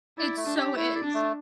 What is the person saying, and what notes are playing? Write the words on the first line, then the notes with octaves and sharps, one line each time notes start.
It so is.
E4 D5
A3
D4
G4
A3 E4
D5
D4
A3